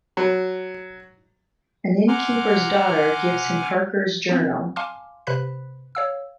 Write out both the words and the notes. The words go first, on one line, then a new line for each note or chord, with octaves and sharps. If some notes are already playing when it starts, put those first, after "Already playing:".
An innkeeper's daughter gives him Harker's journal.
F#3
F#5 G#5 A#5 C6 D6 F6
F3 B3 C4
F5 G#5 A5 C6 D6 F6
C3 B4 C5 B5 F#6 B6
C#5 F5 E6